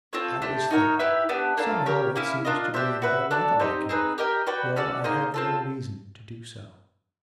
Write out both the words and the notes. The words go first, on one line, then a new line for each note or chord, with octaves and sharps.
I was thinking. Somehow it seems to me that I rather like him, though I have no reason to do so.
C4 F4 A4 C#5
A3 D4 G4 C5
D#4 F#4 A#4 C#5
E4 G4 B4 E5
B3 D4 G4
A#3 D4 F4 A4
G4 A#4 C#5
A#3 C#4 E4
D4 F4 A#4 D#5
D4 G4 C5 E5
F#4 B4 E5
D4 F#4 A4 D5
C4 D#4 G4 C5
C4 D#4 G#4 B4
G4 A#4 D#5 G5
F#4 B4 D5 G5
C#4 F#4 A4 D5
A#3 D#4 G#4 C5
C4 F4 A4